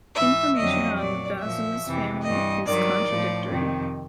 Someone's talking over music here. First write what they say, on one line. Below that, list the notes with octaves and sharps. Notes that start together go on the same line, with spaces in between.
Information on Vazul's family is contradictory.
G#2 E3 E5
F2 D3 F#3 D#5
A#2 F#3 D5
A#2 F3 E5
F2 C3 E3
G2 E3 D#5
G2 D#3 F#3 D5
A2 F3
F2 C3 D#3